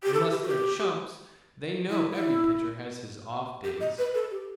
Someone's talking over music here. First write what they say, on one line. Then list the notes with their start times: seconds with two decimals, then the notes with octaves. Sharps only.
Unless they're chumps, they know every pitcher has his off days.
0.03 G4
0.14 A4
0.31 G4
0.43 F#4
0.48 G4
1.89 E4
2.14 E4
3.64 G4
3.81 D#5
3.98 B4
4.14 A4
4.31 G4